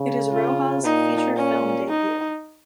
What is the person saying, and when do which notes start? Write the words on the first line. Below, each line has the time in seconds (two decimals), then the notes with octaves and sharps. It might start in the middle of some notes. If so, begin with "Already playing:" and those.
It is Rohal's feature film debut.
Already playing: C#3
0.32 F4
0.84 A#2 D#4
1.37 C#4
1.89 D#4